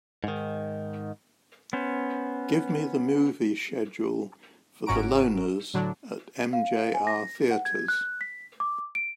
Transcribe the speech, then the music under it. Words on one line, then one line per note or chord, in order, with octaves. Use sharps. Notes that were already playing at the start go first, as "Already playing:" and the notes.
Give me the movie schedule for The Loners at MJR Theatres.
G#2 D#3
B3 C#4 C5
G1 G#2 C#4 F#4 A#5 D7
A2 D3 F#3 D4
F5
G#5
A#6
F#5
G#6
F#6
B6
D6
D7